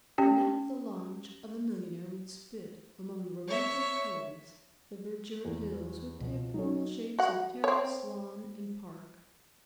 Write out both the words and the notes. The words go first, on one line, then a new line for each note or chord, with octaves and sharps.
The naphtha launch of the millionaire would spit among the romantic coves; the verdured hills would take formal shapes of terrace, lawn, and park.
C#4 G4 G5
C#5 E5
E2
C#2 B2 F3
F#3 C#4 D#4 A4
F#4 F#5
C4 C#5